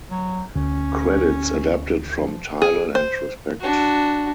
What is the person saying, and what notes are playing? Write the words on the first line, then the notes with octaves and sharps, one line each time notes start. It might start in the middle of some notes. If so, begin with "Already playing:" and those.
Credits adapted from Tidal and Respect.
F#3
D2 C#4
F3
G#4
C5
D4 F#4